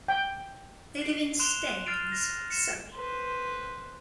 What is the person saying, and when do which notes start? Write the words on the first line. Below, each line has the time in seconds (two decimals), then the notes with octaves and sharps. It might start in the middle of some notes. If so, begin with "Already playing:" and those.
They live in Staines, Surrey.
0.08 G5
1.02 C7 D7
1.39 C6 F#6 D7 E7 F7 G7
1.67 D#7
1.85 F6 A6 C7 D7 D#7 F7
2.12 A#6
2.50 C#7 E7
2.94 B4 C5